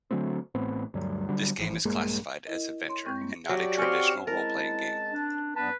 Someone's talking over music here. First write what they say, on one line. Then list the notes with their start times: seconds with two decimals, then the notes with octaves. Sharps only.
This game is classified as Adventure, and not a traditional Role-playing game.
0.11 D3 F#3 A3 C4
0.55 A1 A2 B3 C4
0.94 D2 G2 F#3 G3
1.29 D3 F#3 G3
1.59 G#1 A2 E3 F3
1.85 A#1 G2 G#3 A#3
2.46 E4 A#4 D#5
2.86 C#5 C6
3.05 G2 G#3 C4 G5 C#6 G6
3.20 G3 A#3
3.49 F#3 F#4 G4 D5
3.78 C4 C#4 F5 C#6
4.27 G#3 E4 A#4 A5
5.11 D4
5.56 F#2 B3 D4 B4 A5